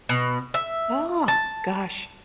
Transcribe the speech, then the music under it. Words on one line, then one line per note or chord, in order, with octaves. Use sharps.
Oh, gosh.
B2
E5
A5